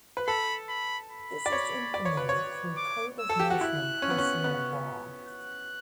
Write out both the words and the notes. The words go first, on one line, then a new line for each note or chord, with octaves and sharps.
This is implemented through Code of Muslim Personal Law.
B4
A4 B5
B5
B5
D5
C#5
D5
C#5
B4
C#5
D6
E6
A4
G4
F#4
E4 F#6
C#4
B3
C#4
B3
F#6